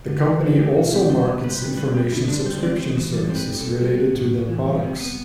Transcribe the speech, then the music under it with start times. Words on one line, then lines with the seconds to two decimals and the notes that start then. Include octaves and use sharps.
The company also markets information subscription services related to their products.
0.08 D3
0.25 D3
0.42 F#3 A4
0.59 A3 G4
0.76 B2 F#4
0.94 C4 E4
1.10 G3 C5
1.27 B3
1.44 C3 B4
1.51 C5
1.58 C3 B4
1.77 G3 B4
1.95 C4 G4
2.12 D3 E4
2.28 D3 D4
2.45 G3 C5
2.58 C5
2.63 C4 D5
2.79 E3 C5
2.96 E3 C5
3.13 G3 A4
3.29 C4 C5
3.35 B4
3.47 C3
3.54 G4
3.59 A4
3.64 C3
3.82 G3
3.98 B3
4.15 A2
4.32 A2
4.48 E3
4.66 G3
4.83 C3
5.00 B3